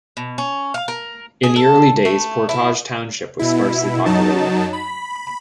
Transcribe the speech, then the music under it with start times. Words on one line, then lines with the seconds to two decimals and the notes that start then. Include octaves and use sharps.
In the early days Portage Township was sparsely populated.
0.17 B2
0.38 C#4
0.74 F5
0.88 A#4
1.43 G#4
1.56 A4
2.05 A3
2.49 E4
3.39 B2 E4
4.06 F#2 F#3 D#4 A5
4.73 B5